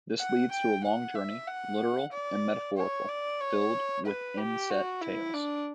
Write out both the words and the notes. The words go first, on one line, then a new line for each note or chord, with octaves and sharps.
This leads to a long journey, literal and metaphorical, filled with in-set tales.
F#5
G5
F#5
E5
F#5
D5
C#5
D5
C#5
B4
G4
F#4
E4
D4